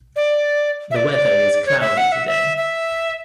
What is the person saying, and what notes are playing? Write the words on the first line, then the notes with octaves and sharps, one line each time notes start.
The weather is cloudy today.
D5
E5
D5
C#5
E5
F#5
E5
E5
E5